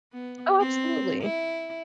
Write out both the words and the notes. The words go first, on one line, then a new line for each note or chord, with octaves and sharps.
Oh, absolutely.
B3
C4
E4